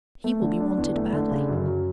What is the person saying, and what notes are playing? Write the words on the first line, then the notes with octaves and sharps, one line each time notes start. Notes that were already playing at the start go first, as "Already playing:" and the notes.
He will be wanted badly.'
A3
D3
D4
E2
A3
D3
C#3
F#2
F#3